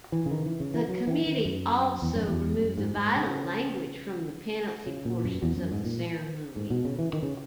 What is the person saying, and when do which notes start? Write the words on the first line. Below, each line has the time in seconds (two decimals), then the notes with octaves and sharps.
The committee also removed the violent language from the "penalty" portions of the ceremony.
0.12 E3
0.26 C#3
0.31 D#3
0.46 E3
0.60 C#3
0.74 E3
0.89 F#3
1.07 E3
1.26 D#3
1.45 F#2
2.02 E2
2.15 F#2
2.27 E2
2.59 F#2
2.78 G#2
2.97 G#2
3.16 C#3
4.87 C#3
5.05 A#2
5.24 F#2
5.43 E2
5.57 F#2
5.71 G#2
5.85 A#2
6.56 G#2
6.70 B2
6.85 C#3
6.99 E3
7.13 D#3
7.23 C#3